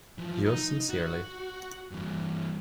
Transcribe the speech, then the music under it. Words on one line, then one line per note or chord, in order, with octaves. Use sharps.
Yours sincerely.
E3 F3
D#4
F#4
G2 E3